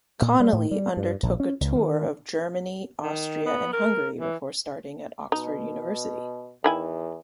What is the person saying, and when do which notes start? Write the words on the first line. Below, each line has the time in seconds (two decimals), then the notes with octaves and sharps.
Connolly undertook a tour of Germany, Austria and Hungary before starting at Oxford University.
0.22 A#2
0.40 G3
0.53 A2
0.71 G3
0.97 G2
1.23 A#1
1.40 C#4
1.61 C#2
1.75 D#3
3.03 D#3
3.46 B3
3.73 A#4
4.20 E3
5.32 B2 D#4
6.64 E2 D#3 E4 G#5